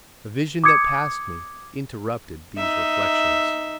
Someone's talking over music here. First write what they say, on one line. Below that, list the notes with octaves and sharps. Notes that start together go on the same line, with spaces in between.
A vision that passed me interrupted these reflections.
D6 D#6 G#6 C#7
D#4 E5